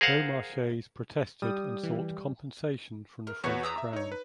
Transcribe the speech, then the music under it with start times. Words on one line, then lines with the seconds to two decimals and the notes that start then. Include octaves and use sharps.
Beaumarchais protested and sought compensation from the French Crown.
0.01 G#4 A#4 C5 F5 F#5
1.42 G3 D#6
1.83 E3
3.27 A#4
3.44 E2 F#4 B4 C#5
3.63 A#5 D#6 E6
3.78 E5
3.93 D#4 C#5
4.12 B4